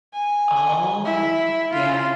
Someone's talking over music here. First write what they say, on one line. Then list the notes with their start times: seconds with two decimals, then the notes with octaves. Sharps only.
Oh yeah,
0.14 G#5
1.05 E4
1.73 F4